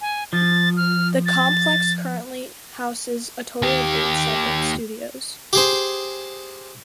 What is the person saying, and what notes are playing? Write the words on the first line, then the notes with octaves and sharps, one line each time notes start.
The complex currently houses a total of eight separate studios.
G#5
F3 A6
F6
A6
D#2 G4
G4 G#4 C5